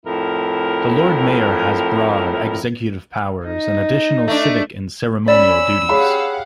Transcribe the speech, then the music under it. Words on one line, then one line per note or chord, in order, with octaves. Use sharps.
The Lord Mayor has broad executive powers and additional civic and ceremonial duties.
F2 A2 E4 A#4
D#4
A3 D4
C#4 D5 B5 E6
G4 G#4 C#5 F5 F#5 B5